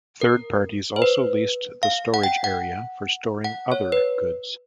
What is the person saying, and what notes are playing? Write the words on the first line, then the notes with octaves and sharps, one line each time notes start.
Third parties also leased the storage area for storing other goods.
A#4
C5
B4
F5
F#5
G5
F#5
F#5
C#5
B4